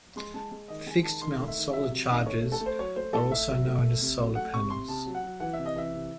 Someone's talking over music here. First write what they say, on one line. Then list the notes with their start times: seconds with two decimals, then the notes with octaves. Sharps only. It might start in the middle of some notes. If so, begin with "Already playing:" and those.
Fixed mount solar chargers are also known as solar panels.
0.16 G#3 C6
0.34 G#3 A5
0.51 G#3
0.68 D#3 D#5
0.86 G#3 G#5
1.03 D#3 A5
1.22 D#3 C6
1.39 A3
1.48 E5
1.57 D#3
1.73 F#3 E5
1.91 C3
2.09 D#3 D#5
2.25 A3 C#5
2.43 A3
2.52 A4
2.61 A3
2.66 C5
2.79 F#3 C#5
2.96 A3 C5
3.13 A2 A4
3.30 A3 E5
3.48 F#3
3.66 A3
3.83 A3
4.01 C3
4.19 F#3
4.35 A3 F#5
4.54 C3 C#6
4.70 C3 C6
4.88 C3 A5
5.06 F#3
5.14 F#5
5.24 F#3
5.40 E3 F#5
5.53 E5
5.58 C3
5.65 D#5
5.76 E3 E5
5.94 C3